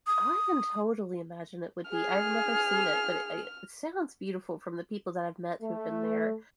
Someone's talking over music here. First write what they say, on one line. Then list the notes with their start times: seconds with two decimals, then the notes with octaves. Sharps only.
I can totally imagine it would be. I've never seen it, but i it sounds beautiful from the people that I've met who've been there.
0.07 D#6
1.91 G#4 F6
5.62 A3